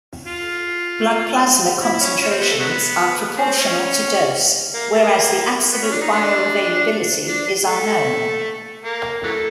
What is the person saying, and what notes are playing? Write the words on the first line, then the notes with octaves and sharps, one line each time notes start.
Blood plasma concentrations are proportional to dose, whereas the absolute bioavailability is unknown.
F4
E4
C#4
C#4
C4
B3
A3
F#3 G#3 B3
C4
C#4
A#3
A#3
B3
C#4
D4
D#4
A3 B3 D4
D4
A3
A#3
E3 F#3 A3